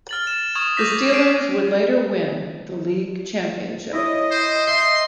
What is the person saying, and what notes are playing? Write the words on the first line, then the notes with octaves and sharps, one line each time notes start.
The Steelers would later win the league championship.
F6 A6 F#7
E7
C#6 D#6 G#6 E7
C#6 D6 E6 G6 A#6 B6
C#6 C7 D7 D#7
E4 C#5 D#5
C5
E5 C6